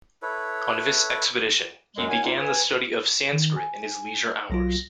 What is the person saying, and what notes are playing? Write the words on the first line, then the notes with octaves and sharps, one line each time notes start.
On this expedition, he began the study of Sanskrit in his leisure hours.
E4 A4 B4 C#5
F#2 G#3
D#3 C#4 F#5 G#5
E3 G3 A#3 B3 D#4 F4
B4 G#5
D#3
G#5
B1 F#3 F4 A#6